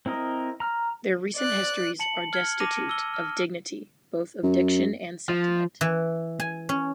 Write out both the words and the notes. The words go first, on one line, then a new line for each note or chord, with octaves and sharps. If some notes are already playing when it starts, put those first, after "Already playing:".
Their recent histories are destitute of dignity, both of diction and sentiment.
C4 E4 A#4 D#5
A#5 F6
D5 F#6
A5 C#7 F#7
F6 G#6 C#7 G7
A5 D6 A#6 D#7 F7
E6 G7
F6
F#2
F3
E3
G#5
C#4